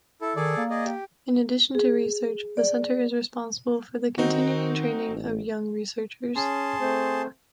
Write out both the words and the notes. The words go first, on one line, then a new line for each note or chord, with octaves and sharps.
In addition to research, the Center is responsible for the continuing training of young researchers.
E4 A4
D#3 G#4 A4 D5
A#3
G#4 D5 D#5
G4
G#4
D5
D#3 C4 D#4 F#4
A1
C#4 G#4 A5 C6
A3 C4 C5